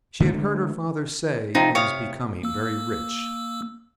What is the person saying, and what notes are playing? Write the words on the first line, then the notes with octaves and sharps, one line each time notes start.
She had heard her father say he was becoming very rich.
D3 G#3 A3
C3 F3 C4 D#4
C3 C#5 F5 D#6
A#3 E6